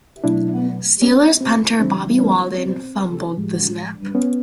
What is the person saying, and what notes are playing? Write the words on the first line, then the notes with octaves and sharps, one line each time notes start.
Steelers punter Bobby Walden fumbled the snap.
B2 F#3 A3 D4 E4
B3 C#4
C4
C#3 E3 G3 C4 D4
B3 C#4
C4
A2 F3 G#3
B3 C#4